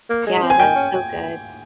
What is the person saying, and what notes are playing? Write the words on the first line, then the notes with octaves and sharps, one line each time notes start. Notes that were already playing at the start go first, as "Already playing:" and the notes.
Yeah, that's so good.
A#3
G#3
C4
G#5
D#3 G5
C#4